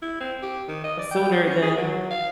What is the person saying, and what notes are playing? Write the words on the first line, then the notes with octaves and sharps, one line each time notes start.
sooner than
E4
C4
G4
D#3
D#5
D5
G5
F#3
C#4
G#4
F#3
F5